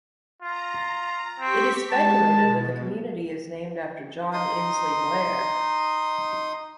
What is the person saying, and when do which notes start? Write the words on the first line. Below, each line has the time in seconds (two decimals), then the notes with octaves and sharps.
It is speculated that the community is named after John Insley Blair.
0.42 F4 A#5
1.40 C4 G4 C#6 B6
1.91 G#3 A5
2.41 B2
4.33 D#4 C6 D#6